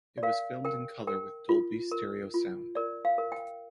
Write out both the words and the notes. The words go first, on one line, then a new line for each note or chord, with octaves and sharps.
It was filmed in color with Dolby Stereo sound.
D5
A#4 F5
A#4 G5
A#4 G5
F4
A#4
F4
A#4 D5
F5
A#4
G5